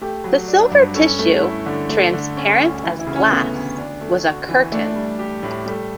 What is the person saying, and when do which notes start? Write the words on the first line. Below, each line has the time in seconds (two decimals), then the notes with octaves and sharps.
The silver tissue, transparent as glass, was a curtain.
0.01 A3 G4
0.24 F#3
0.48 D4
0.71 G2
0.95 C#4 A4
1.19 A3
1.42 E4
1.66 D3
1.89 A3
2.13 D3
2.37 C#4
2.60 D2
2.84 E3 E4
2.99 E4
3.07 C#3
3.16 C#4
3.31 A3 B3
3.55 D2
3.78 D4
4.01 A3
4.25 F#4
4.49 E3
4.72 A3 D4
4.95 G3
5.19 G4
5.43 A2
5.66 G3 A3